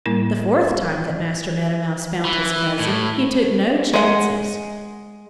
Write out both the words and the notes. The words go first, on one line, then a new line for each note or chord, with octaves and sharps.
The fourth time that Master Meadow Mouse found his cousin he took no chances.
A2 G3 A#3 E4 A#4
E3
A2
G#3 F#5